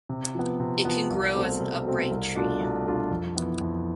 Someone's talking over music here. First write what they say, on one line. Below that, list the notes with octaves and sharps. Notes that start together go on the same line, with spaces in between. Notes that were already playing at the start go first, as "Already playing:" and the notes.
It can grow as an upright tree.
C3
F3 B3
C3
F3 B3
C2
B2 A3 C4
C2
B2 A3 C4
C2
B2 A3 D4 F4
C2
B2 A3 D4 F4
F2
E3 B3 E4
F2